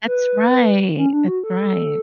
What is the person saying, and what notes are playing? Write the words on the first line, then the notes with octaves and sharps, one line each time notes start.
That's right, that's right.
B4
C#4
D4
F#4
A4